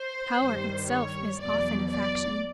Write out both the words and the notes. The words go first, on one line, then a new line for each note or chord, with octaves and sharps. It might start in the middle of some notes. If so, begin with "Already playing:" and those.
Power itself is often a faction.
Already playing: C5
G2 D#3 G3
C#5
E2 B2 F#3 D5
D5